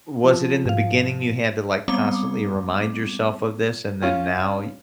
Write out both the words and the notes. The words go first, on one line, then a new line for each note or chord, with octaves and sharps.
was it in the beginning you had to, like, constantly remind yourself of this, and then now,
F3
G#2 F5
G3 G#3 B3 C4 D6
C#4 F4